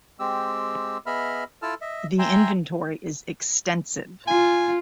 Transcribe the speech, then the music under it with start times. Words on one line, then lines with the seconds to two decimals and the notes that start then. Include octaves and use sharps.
The inventory is extensive.
0.20 G#3 C4 G4 E6
1.06 B3 G#4 D#5 E5 B5 F6
1.62 E4 F4 A4 A5 E6 F6
1.81 D#5 E5
2.19 E5 G5 G#5 A#5 C6
4.27 F4 G#5